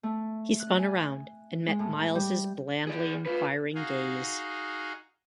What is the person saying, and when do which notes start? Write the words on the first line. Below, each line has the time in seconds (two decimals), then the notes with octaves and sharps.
He spun around and met Miles's blandly inquiring gaze.
0.03 A3
0.60 F#6
0.79 G#5
1.67 G#3
1.79 A2
2.15 G3
2.87 G#4 D5
3.26 F4 B4
3.75 D#4 F#4 G#4 F5